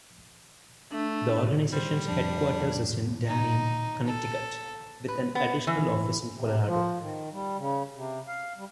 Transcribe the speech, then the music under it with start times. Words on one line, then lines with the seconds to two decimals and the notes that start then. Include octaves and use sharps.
The organization's headquarters is in Darien, Connecticut, with an additional office in Colorado.
0.92 A3 D4
1.73 G3 C5
2.08 F2 F3 D4
3.26 D#4
4.06 A4
5.08 B4
5.35 B3
5.67 E3
6.33 C3
6.66 F3
7.00 D#3
7.32 G3
7.57 C#3
7.96 C3
8.27 F5
8.57 G3